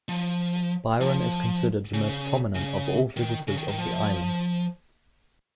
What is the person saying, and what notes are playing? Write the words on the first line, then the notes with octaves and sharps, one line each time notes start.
Byron is considered the most prominent of all visitors of the island.
F3
F3
C#3
C#3
D#3
C#3
D#3
D#3
F3